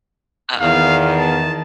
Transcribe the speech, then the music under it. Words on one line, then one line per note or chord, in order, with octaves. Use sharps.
Uh um,
E2 D#3 F5
A5